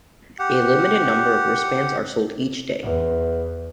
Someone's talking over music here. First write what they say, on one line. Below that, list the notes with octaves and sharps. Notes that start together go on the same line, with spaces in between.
A limited number of wrist bands are sold each day.
G4 F#5
E2